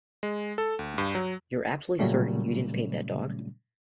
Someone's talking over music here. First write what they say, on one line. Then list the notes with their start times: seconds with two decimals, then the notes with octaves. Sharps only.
You're absolutely certain you didn't paint that dog?
0.23 G#3
0.58 A4
0.79 D2
0.98 G2
1.15 F#3
1.99 A#2 C#3 F#3 G3 A3 C#4